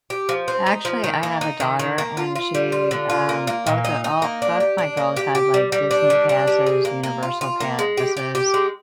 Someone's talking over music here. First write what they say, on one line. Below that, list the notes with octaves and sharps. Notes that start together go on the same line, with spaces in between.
Actually, I have a daughter and she, um, both of all both of my girls had, like, Disney passes, Universal passes,
G4
F3
C4
D#4
F3
D#3
A#3
D#4
D#3
D#3
A#3
F4
F4
G3
F4
D3
F4
A#3
A#3
A#2
D#4
D#4
A#3
D4
G4
D4
A#3
G4
G4
G3
G3
D4
G3
D4
G3
G#4
A#3
A#3
F4
F4
A#3
G#3
G4
G4
G4
G#3